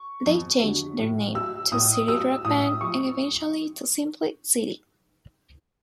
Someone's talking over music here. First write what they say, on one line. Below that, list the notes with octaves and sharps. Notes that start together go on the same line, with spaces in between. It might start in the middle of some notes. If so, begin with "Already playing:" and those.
They changed their name to City Rock Band and eventually to simply City.
Already playing: C#6
F2
D3 F#3
A2
F#3 E6
A2 D#6
F#3 E6
A2 D#6
F3 C#6